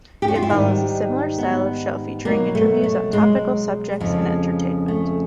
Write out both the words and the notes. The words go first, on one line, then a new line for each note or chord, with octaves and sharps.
It follows a similar style of show, featuring interviews on topical subjects and entertainment.
G4
F#4
F4
E4
G#2 D#3 G3 D#4
B3
B2 F#3 A#3
A3
A3
G#3
F2 C#3 F3
A3